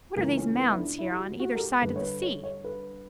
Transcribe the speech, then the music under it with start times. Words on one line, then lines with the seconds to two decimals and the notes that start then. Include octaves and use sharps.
"What are these mounds here on either side of the sea?"
0.16 C#2 C#3 E3 A#3
0.37 C#4
0.57 B3
0.69 E4
0.78 D4
0.99 E4
1.12 G4
1.19 F#4
1.40 F#4
1.55 A#4
1.60 G4
1.81 G2 D3 B4
1.96 C#5
2.02 B4
2.22 C#5
2.44 C#5
2.64 B4